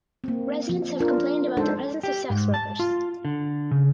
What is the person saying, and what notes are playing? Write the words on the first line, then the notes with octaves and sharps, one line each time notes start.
Residents have complained about the presence of sex workers.
A#3 C4
F3
D4 F4 A#4
G#3 D4 D#4 A4 C5
G4
G#2
A5
F4
D3
C#3